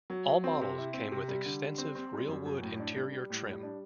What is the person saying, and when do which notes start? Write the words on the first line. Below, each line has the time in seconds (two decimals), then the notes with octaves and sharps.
All models came with extensive, real wood interior trim.
0.10 F#3
0.27 F#3
0.44 C4
0.61 C3
0.78 E4
0.94 C4
1.12 C3
1.28 G3
1.45 D3
1.62 G3
1.78 C4
1.95 C4
2.12 G3
2.28 F#2
2.45 F#2
2.63 A2
2.79 D4
2.95 G3
3.12 G3
3.30 A2
3.46 G3
3.63 D4